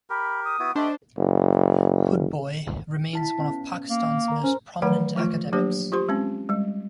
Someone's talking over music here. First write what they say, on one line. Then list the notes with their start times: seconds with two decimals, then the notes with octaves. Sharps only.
Hoodbhoy remains one of Pakistan's most prominent academics.
0.10 G4 A#4 B5
0.44 D#6
0.59 B3 E4 F#4
0.76 A3 D4 G4 C5 D#5 C6
1.17 F#1
3.13 E4 A5 B6
3.38 B3 C#4
3.90 A#3
4.28 A#4 A#5
4.44 C#4 C5
4.82 D#3 E3 F#3 A3 B4 F#5
5.16 F3 A3 F4
5.53 F#3 A#3 D4 G4 C5
5.92 F4 G4 C5 C6
6.09 G#3 C4 C#4
6.49 G3 G#3